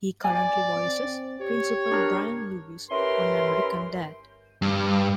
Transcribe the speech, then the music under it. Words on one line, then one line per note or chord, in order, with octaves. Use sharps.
He currently voices Principal Brian Lewis on "American Dad!".
D5 G#5
C4
G4 C#5
D4 A#4
C#4 E4 G4 A#4 B4 C6
G2